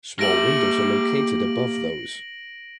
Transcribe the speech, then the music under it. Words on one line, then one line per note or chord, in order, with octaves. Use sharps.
Small windows are located above those.
A#3 G4 E5 A#6 D7 F#7